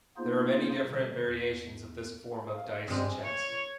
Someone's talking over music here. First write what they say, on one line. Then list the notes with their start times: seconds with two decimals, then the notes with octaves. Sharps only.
There are many different variations of this form of dice chess.
0.17 A#3 B3 D#4 F4 G#4 C5
0.84 B2 D3 G3
1.24 E2
2.54 F5
2.88 G2 G#3 C4
3.24 C#5